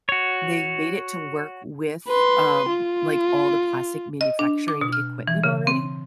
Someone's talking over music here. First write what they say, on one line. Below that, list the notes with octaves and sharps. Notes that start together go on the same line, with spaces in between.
they've made it to work with, um, like, all the plastic manufacturing equipment already,
F#4 C#5
B4 C6
F4
D#5
D4
D6
B2
F6
E3
C#3
C4